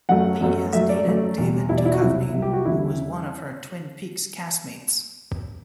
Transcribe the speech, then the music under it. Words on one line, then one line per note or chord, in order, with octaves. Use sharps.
Lee has dated David Duchovny, who was one of her "Twin Peaks" cast-mates.
F#2 F#3 A3 F#5
F#2 F#3 A3
F#2 F#3 A3 E5
D5
F#2 F#3 A3
E2 B2 G3
E2 B2 G3 E4
D5
E4
F#4
C2 C3 F#3 E4
C2 C3 F#3
G4
F#4
E2 D3 G3 E4